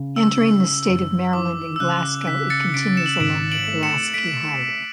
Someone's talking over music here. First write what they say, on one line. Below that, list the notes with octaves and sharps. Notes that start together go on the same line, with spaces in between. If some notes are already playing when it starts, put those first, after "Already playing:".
Entering the state from Maryland in Glasgow, it continues along the Pulaski Highway.
Already playing: C#3
E6
C#3
F#2
E3 D6
E6
C#3 F#6
C#3 B6
A6 C#7
C#3 B6 D7
C#7 E7
F#7
E7
G#1 B6 D7
D7 F#7
A3
C#7 E7
A3 B6 D7